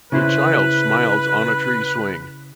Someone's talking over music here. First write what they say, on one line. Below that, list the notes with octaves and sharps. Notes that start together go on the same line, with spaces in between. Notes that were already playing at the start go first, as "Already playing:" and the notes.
A child smiles on a tree swing.
C#3 E4 B4 C5